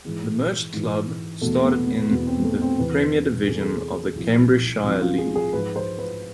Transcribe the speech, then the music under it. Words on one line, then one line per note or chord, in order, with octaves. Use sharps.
The merged club started in the Premier Division of the Cambridgeshire League.
G#2 E3 G#3
G#2 E3
E2 B2 A3
B3
B3
E2 B2 B3
C4
A3
C4
E2 C3 E3 B4
E2 C3 E3 G#4
A4
G#4
C2 C3 F3 E4
C2 C3 F3
F4
G#4
G#4
G#2 F3 B4
C5
B4